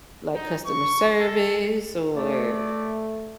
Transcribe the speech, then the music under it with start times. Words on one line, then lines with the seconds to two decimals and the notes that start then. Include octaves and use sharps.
like customer service or,
0.35 D#4
0.66 C#6
1.20 A4
2.16 A3 D5